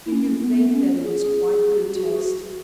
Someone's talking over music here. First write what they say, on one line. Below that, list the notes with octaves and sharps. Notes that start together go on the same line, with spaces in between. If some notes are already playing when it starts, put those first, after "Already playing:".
"Do you think that it is quite good taste?"
E4
C#4
B3
C#4
G#4
F#4
G#4
F#4